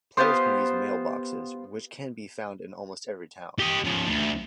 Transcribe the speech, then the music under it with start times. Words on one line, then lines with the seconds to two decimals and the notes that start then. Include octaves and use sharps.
Players can use mailboxes, which can be found in almost every town.
0.17 B3 F4 G4 C5
3.59 G4 D#5
3.85 C#3 F3
4.08 D2